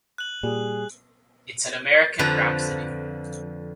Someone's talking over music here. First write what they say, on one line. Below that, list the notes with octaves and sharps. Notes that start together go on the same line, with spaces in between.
It's an American rhapsody.
F#6 F#7
A#2 G3 G#4
F2 D3 F3 B4 A#5